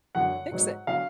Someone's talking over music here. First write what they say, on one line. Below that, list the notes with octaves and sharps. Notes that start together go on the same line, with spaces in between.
fix it."
F#2 D3 F#3 F#5
G#2 F#3
D3 F#3 F5